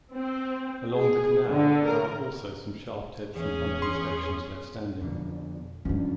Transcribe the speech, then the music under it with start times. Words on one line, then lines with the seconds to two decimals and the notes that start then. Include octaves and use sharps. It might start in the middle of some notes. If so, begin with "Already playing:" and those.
Along the canal there are also some shaft heads from pumping stations left standing.
0.14 C4
0.92 G#4
1.48 D3
1.86 A#4
3.36 E2 C#4 G#4
3.82 C6
5.02 F2 B2 D3
5.85 F#1 G2 E3 F3 C#4